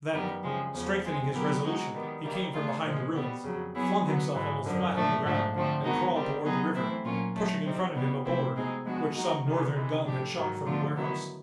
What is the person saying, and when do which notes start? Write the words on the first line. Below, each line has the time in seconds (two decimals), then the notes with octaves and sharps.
Then, strengthening his resolution, he came from behind the ruins, flung himself almost flat on the ground, and crawled toward the river, pushing in front of him a board, which some Northern gun had shot from the warehouse.
0.12 F#2 D#3 G3 B3
0.43 C#3 F3 G#3 C4
0.74 E2 C#3 F3
1.02 F3 G#3 C4
1.33 F#3 B3 E4 G4 A#4
1.63 G#3 C4 D#4 F#4
1.93 D#3 G3 B3
2.24 D#3 G3 A#3
2.53 A3 D4 F4 G#4
2.83 A#2 F3 G#3
3.14 B2 G3 B3
3.43 F2 C#3 F#3
3.74 F#3 B3 E4 G#4 C#5
4.04 D3 F#3 B3
4.34 G#2 E3 G#3
4.63 F#2 D3 F3
4.94 A#2 F3 A3 D4
5.24 G#2 F3 A3 D4
5.54 D3 F3 A3 C4
5.84 D#3 G#3 B3 D#4 F#4
6.13 D#3 G3 C4
6.44 F#3 B3 D#4 G#4
6.74 E3 A3 C4 E4
7.04 A#2 F#3 A#3 C#4 F4
7.35 F#3 A3 C#4
7.65 G3 C4 D#4
7.95 B2 G3 B3
8.25 C3 F3 A3 C4 E4
8.54 B2 G#3 C4 D#4 G#4
8.84 F3 G#3 B3 D4 F#4
9.14 F3 A#3 D#4 F#4
9.45 C3 D#3 G3
9.75 C3 E3 G#3
10.04 A2 F3 A3 D4 G4
10.35 G#2 D#3 F#3
10.64 D3 F3 A3 D4 F4
10.95 D#3 F#3 B3 E4